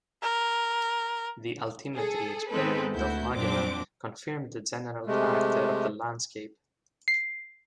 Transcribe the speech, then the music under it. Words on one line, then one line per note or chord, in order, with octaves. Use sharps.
The altimetry experiment of "Magellan" confirmed the general character of the landscape.
A#4
G#4 A4
D#3 G#3 B3 C4 A4 B4
D2 E4 F#4 G6
F2 A#2 F#3 C4 D4 D6
C3 G#3 A3
C7